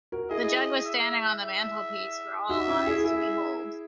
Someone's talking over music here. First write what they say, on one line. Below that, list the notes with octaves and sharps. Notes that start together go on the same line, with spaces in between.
The jug was standing on the mantelpiece, for all eyes to behold.
F#4 A#4
E4 G#4 D#5
E5
E5
D#4 F#4 E5
C#4 E4
E4 G#4
E4 G#4 E5